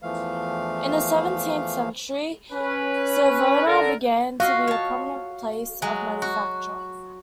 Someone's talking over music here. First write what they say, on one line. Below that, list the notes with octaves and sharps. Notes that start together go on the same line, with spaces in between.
In the seventeenth century Savona began to be a prominent place of manufacture.
E2 E3 F3 A3 F5
C#4 B4
D3 A4 A#4
F#4 D#5 F5
C#5 A5
F#3 G#3
F#4